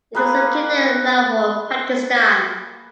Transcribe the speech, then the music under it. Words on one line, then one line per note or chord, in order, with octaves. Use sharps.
It is located in Lahore, Pakistan.
A#3 G#4 B4